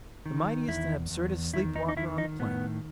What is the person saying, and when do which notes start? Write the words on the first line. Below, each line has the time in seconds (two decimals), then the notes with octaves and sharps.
The mightiest and absurdest sleep-walker on the planet!
0.26 D#3
0.68 E2 E4
1.11 E2
1.54 D#3 E4
1.76 D#4
1.89 D#4
1.97 D#3 E4
2.18 D#4
2.39 A2 B3